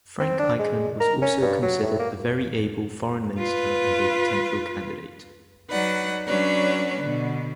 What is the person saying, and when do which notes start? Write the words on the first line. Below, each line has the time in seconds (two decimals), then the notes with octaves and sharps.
Frank Aiken was also considered a very able Foreign Minister and a potential candidate.
0.20 C4
0.40 D4
0.59 G#3
1.00 A#4
1.22 C#4
1.42 G2
1.63 F#3
1.83 A2
1.99 A#3
3.38 F4 B4
5.70 F#3 D#4 B4 D5 F#5
6.27 F#3 C#4 D4 B4 C#5 D5
7.00 B2 D3